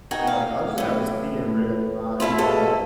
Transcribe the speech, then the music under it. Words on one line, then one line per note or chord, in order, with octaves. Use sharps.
and, like, I just got to see in real time how, like
D#4 F#4 A#4 G5 G#5
F5
A2 E3
B2 A3 E4 F4
B2 G#3 A#3 C#4 A4 E5